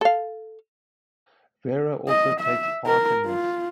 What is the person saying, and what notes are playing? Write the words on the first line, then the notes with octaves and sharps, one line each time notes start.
Vera also takes part in this.
A4 F5
D#5
E5
A#4
F4